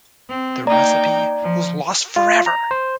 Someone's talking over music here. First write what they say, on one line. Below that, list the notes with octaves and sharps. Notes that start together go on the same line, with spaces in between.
The recipe was lost forever.
C4
A#3 D#4 D5 G5 A#5
F3
F4
A#5
C5